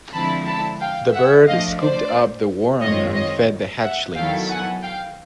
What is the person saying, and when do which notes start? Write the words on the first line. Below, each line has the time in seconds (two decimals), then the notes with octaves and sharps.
The bird scooped up the worm and fed the hatchlings.
0.13 D3 F3 G#3 C4 E4 A5 B5
0.47 A5 B5
0.80 F5 G5
1.13 E5 F#5
1.47 F3 A3 D4 D#5 F5
1.81 C5 D5
2.81 F#2 D#3 G#3 C4 F4 C#5 D#5
3.14 C#5 D#5
3.82 E5 F#5
4.15 D#3 F#3 B3 E4 A4 F5 G5
4.49 F#5 G#5
4.82 F5 G5